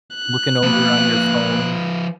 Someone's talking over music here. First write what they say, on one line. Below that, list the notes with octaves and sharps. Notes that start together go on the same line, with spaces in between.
looking over on your phone.
F#6
F3 A#3 B4